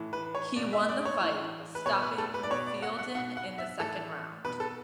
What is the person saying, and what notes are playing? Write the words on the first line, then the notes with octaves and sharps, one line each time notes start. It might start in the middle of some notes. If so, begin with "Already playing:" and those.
He won the fight, stopping Fielden in the second round.
Already playing: A2 E3
B4
C#5
B2 D5
E5
D5
C#5
A2 E3
B4
B2 C#5
B4
A4
B4
D5
B2 C#5
D5
F#5
F#5
B2 F#5
F#5
E5
A2 E3 A4
B2 B4
A4